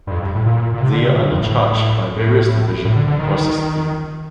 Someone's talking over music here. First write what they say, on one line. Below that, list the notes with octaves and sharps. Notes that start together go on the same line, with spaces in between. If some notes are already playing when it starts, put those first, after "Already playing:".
They are under charge by various division across the city.
G2
F2
G2
A2
A#2
A#2
C3
D3
C3
A2
G2
F2
A2
A2
A2
D3
D3
D#3